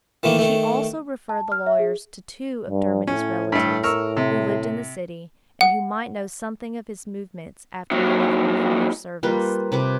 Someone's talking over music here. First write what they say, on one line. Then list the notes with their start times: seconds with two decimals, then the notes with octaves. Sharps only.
She also referred the lawyers to two of Dermody's relatives, who lived in the city, and who might know something of his movements after he left my father's service.
0.23 D#3 E3 A3 A#3
0.39 D#3 A3
1.29 A5
1.52 F6
1.67 E5
1.79 G#4
2.70 G2
3.07 A2 C#4
3.52 G2 A3
3.84 A#4 C#6 E6
4.17 C3
5.61 F#5
7.91 D#2 F#3
9.23 G3 A#3 F4 B4
9.72 C3 B4 D6